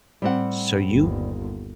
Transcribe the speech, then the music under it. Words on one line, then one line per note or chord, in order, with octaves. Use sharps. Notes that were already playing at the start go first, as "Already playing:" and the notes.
So you
A2 G3 C4 F#5
G1 D#2